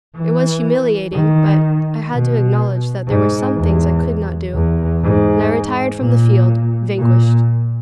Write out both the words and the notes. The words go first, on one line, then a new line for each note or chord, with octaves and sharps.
It was humiliating, but I had to acknowledge that there were some things I could not do, and I retired from the field, vanquished.
E3
D#3
B2
G#2
E2
E2
G#2
A#2
A#2